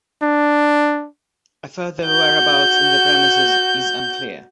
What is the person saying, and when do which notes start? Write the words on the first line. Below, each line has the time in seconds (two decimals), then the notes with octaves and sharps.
A further whereabouts in the premises is unclear.
0.22 D4
2.05 F#4 G6